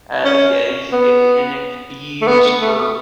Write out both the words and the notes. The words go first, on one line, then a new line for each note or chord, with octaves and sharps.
Uh, yeah, he's it c and it could be used for
C#4
B3
A3
B3
A3